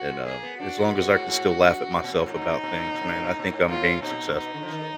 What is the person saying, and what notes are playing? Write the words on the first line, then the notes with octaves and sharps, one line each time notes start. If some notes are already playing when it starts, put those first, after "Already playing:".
and, um, as long as I can still laugh at myself about things, man, I think I'm being successful, so
Already playing: F#4
G#3
A#3 G#4
B3
D4 F#4
G#3
B2
G#2
G#2
F#2
F#2
G#2
A#2
G#2
A#2
G#2
A#2 D#4
G#2
A#2
G#2
A#2
G#2
A#2
G#2
A#2
G#2
A#2
G#2
A#2
G#2
A#2
G#2
G#2 F4
A#2 D#4
D3
B2 D#4
D3
F3
D#3